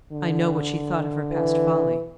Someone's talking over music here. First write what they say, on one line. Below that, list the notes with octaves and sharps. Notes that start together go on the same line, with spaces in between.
I know what she thought of her past folly.
D3
E3